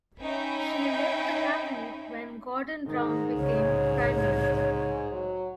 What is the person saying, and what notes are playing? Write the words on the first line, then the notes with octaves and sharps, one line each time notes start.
She left the Cabinet when Gordon Brown became Prime Minister.
C#4 D#4 E5 G5 B5
G#2 D#3
C2 A2 C#3 C#5
F#3